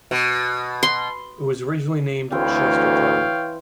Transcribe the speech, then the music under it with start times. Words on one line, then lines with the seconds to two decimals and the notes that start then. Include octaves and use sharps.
It was originally named Chestertown.
0.11 B2
0.83 C6
2.32 D2 E3 C4 C#5 F5 G5 G#5